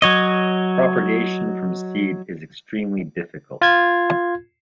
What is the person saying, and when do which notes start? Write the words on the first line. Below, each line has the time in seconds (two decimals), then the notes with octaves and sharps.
Propagation from seed is extremely difficult.
0.02 F#3 C#5 D#5
3.62 F4 G#6